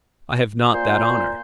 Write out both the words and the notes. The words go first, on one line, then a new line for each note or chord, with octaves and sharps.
"I have not that honor."
A#2 C5